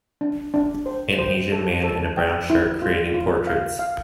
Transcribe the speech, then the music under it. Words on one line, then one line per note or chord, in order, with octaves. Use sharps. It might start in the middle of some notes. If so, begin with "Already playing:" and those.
An asian man in a brown shirt creating portraits.
D4
D4
C5
C5
A4
A4
G5
E4
F4
F4
F5
F5